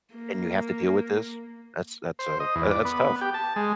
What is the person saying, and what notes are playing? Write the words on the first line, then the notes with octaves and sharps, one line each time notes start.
and you have to deal with this, that's that's a that that's tough.
A#3
C5
D#5
E2
D5
B3
G4
A5
G#3